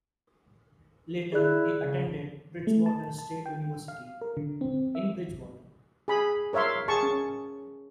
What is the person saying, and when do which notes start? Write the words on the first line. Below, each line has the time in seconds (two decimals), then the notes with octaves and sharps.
Later he attended Bridgewater State University in Bridgewater.
1.32 E4 G#4 D5 F#6
1.78 C#3
2.67 A3
2.86 A5
3.19 A5
3.46 G5
3.88 F5
4.21 A#4
4.37 D3
4.61 C4
4.95 E5
6.08 G#4 B5
6.53 A#4 C#5 E5 F5 C6
6.88 G#4 A5 C#6
7.03 C#4